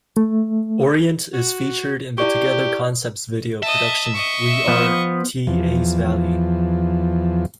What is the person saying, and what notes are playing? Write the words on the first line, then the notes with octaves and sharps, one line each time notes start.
Orient is featured in the Together Concepts video production "We Are..Teays Valley".
A3
F#4
E4 G4 D5 C#6
D#5 E5 A5
D#5 C#6
F3 B3
E2 F3